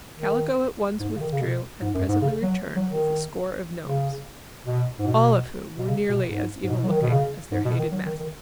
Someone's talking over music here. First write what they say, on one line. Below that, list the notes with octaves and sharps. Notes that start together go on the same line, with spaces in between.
Kaliko at once withdrew and presently returned with a score of nomes, all of whom were nearly as evil looking as their hated master.
D#3
G#2
C#3
D#3
C#3
B2
G#2
F#2
G#2
C#3
F#3
F#3
D#3
C#3
B2
G#2
B2
B2
C#3
B2
G#2
G#2
B2
F#3
D#3
B2
C#3
G#2
B2
D#3
F#3
D#3
D#3